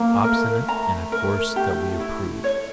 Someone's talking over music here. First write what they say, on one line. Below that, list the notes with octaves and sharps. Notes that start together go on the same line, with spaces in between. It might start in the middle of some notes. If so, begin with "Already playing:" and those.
Obstinate in a course that we approve.
Already playing: A#3
A3 A#4
A#5
A#4
G4
E4
C#5